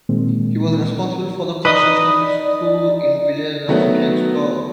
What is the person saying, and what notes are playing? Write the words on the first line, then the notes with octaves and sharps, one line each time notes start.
He was responsible for the construction of a school in the village of Kexborough.
A#2 D#3 G#3 A#3 C4
D#4 B4 D5 D#5 D#6
D#3 F#3 A3 B3